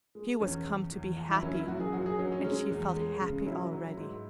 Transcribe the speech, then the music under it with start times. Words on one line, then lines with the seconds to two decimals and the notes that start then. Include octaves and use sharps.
She was come to be happy, and she felt happy already.
0.15 G#3
0.40 E2 C#4
0.66 E2
0.92 E2
1.17 E2
1.31 E4
1.42 F#3 C#4
1.55 E4
1.68 F#2 F#4
1.80 G#4
1.93 F#3 F#4
2.06 G#4
2.19 F#3 C#4
2.32 C#4
2.44 G#3 C#4
2.70 E2
2.95 G#3
3.21 C#3
3.41 C#4
3.46 F#3 E4
3.73 F#3
3.97 G#2